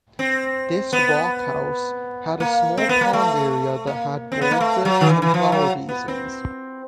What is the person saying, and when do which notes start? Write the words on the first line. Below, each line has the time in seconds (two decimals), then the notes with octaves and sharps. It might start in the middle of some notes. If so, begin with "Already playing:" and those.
This Rock House had a small pond area that had goldfish and flower basins.
0.19 C4
0.93 B3
2.40 A#3
2.77 C4
2.89 B3
3.01 A#3
3.13 A3
3.87 A#3
4.32 C4
4.41 B3
4.51 A#3
4.60 A3
4.85 F#3
5.01 D#3
5.09 E3
5.22 E3
5.34 F3
5.52 F#3
5.89 B3
6.08 C4